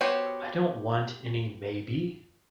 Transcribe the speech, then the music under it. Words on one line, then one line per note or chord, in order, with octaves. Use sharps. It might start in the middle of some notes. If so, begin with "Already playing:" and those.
I don't want any maybe.
B3 F#4 G4 C5 C#5